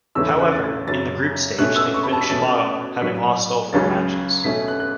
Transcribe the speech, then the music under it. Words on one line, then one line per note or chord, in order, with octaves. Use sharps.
However, in the group stage they finished bottom having lost all four matches.
E2 C#3 A3 C#4 E6
E6
F#6
A6
F#2 C#3 F#3 A6
B2 A3 C#4 F#6
E6
C#6
B5
A5
B6
B2 A3 C#4 A6
A2 F#3 B3 B6
C#2 C#3 F#3 C#4 A6
B2 A3 C#4 B6
F#6
F#6